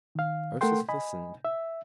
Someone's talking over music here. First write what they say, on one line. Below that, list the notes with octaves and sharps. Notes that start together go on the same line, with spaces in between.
Ursus listened.
D#3 F5
A3 A4 A#4 F#5 G5 C6
D#5 G#5 B5
E5